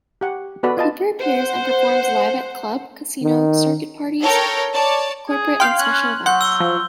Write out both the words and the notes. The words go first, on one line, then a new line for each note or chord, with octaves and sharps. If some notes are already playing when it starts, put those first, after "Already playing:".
Cooper appears and performs live at club, casino, circuit parties, corporate and special events.
G4 F#5
B3 F#4 A4 B4 D5 B5
F4 D#5 A5
C5 F#5
D#3
A4 A#4 C#5 G5
C#5 D5 A5
G#4
F5 G5 C6 F6
C#4 F#6
F#3 F#5 C6 G6
E6 G7
F3